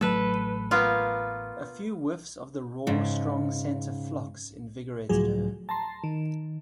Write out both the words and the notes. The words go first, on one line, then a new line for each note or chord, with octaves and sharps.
A few whiffs of the raw, strong scent of phlox invigorated her.
A1 F#3 A3 A4 B4
A#3 B3 F4
G#2 C#3
C#2 A2 F3 F#3 G#4
A5 A#5 C6
D#3